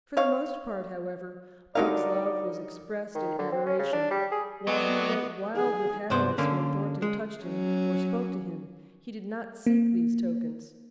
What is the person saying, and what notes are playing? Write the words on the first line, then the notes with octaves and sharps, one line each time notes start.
For the most part, however, Buck's love was expressed in adoration. While he went wild with happiness when Thornton touched him or spoke to him, he did not seek these tokens.
C#5 F5
D3 F#3 G3 D#4 A#4 D5 F5
D#3
D3
C4
C#4
C#3
D4
G3
G#4
F#3 B3 C4 A4 D5 D#5
G#4
C2 G2 B3 C5 D5
D3 A#3 C#4
G#3
F#3 C#4
A#3